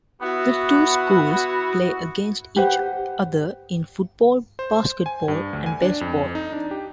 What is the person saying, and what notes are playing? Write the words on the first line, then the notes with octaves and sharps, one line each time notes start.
The two schools play against each other in football, basketball, and baseball.
B3 E4 F#4
G4 B4 C5 F#5
C5
G#5
G2
D2
G#5
D4
F2
D#4
D4
G4